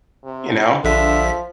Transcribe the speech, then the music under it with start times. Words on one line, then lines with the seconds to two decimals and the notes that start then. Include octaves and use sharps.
you know?
0.25 C3
0.84 A#1 D3 F3 E5 B6